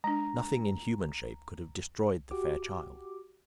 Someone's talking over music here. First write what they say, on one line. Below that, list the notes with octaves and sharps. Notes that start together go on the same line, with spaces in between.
Nothing in human shape could have destroyed the fair child.
G#3 D4 A#5
F#4 G4 D6